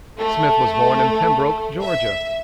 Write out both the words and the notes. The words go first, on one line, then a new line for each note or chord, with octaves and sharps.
Smith was born in Pembroke, Georgia.
A3 A4
E5